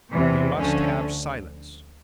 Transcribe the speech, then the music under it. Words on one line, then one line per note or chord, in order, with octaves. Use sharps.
"We must have silence!"
E2 C3 E3
D2 D3 F3 A3 C#4